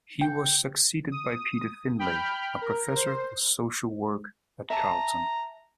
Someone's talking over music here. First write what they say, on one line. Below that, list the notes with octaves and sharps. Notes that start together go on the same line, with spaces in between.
He was succeeded by Peter Findlay, a professor of Social Work at Carleton.
G5
D#6
G5 B5 F6 G6
A#4
C5
E5 A5 A#5